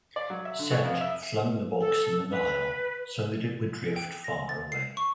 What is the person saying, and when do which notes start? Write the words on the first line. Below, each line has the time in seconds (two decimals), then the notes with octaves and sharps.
Set flung the box in the Nile so that it would drift far away.
0.16 D5
0.30 F#3
0.45 E5
0.59 D3
0.71 F#4
0.84 F2
1.01 E5
1.81 A4
2.31 B4
3.96 G5
4.24 A#6
4.49 A6
4.72 C7
4.97 C#6